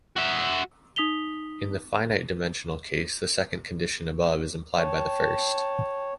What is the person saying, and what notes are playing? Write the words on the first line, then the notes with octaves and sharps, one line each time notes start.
In the finite-dimensional case, the second condition above is implied by the first.
F#4 E5
D#4 D#6 B6 F7 G7
C#5 G5 A5